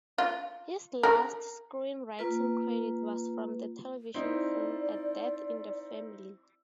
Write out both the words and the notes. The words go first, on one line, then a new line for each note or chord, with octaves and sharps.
His last screenwriting credit was from the television film "A Death in the Family".
F4
A#4
A#3 F4 B4
C4 D#4 E4 D5